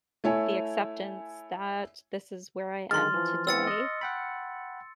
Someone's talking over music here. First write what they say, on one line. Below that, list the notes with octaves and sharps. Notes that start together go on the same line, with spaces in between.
the acceptance that this is where I am today.
A3 E4 C#5 G#5
D3 D#3 G#3 C6 F6 A6
E3 F3
E3 B3 C4 E6 A6 C#7
D#5
F#5 G5 B5